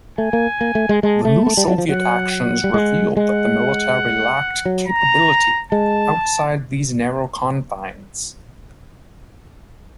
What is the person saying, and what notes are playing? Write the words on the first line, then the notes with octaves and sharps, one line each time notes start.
The new Soviet actions revealed that the military lacked capability outside these narrow confines.
A3 G#5
A#3
A#3
A3
G#3
G#3 A5
A3
A3
G3
F#3
F3
F#3 F#5
F#5
G3
G#3
G#3 F#5
F#3
A#5
G#3 A5